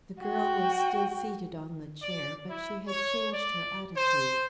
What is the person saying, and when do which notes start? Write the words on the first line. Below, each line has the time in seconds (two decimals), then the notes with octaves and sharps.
The girl was still seated on the chair, but she had changed her attitude.
0.21 F#4 G5
2.03 D5
2.50 E4
2.88 C#5
3.33 D5
3.96 C5